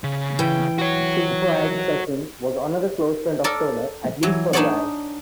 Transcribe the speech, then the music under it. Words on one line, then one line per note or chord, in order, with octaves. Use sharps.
Siegfried Sassoon was another close friend of Turner, at least for a while.
C#3
E3 G5
F#4 C#5
A4 A#4 D5
E3 F#3
D4 D#4 G#4 C#5 D5 F#5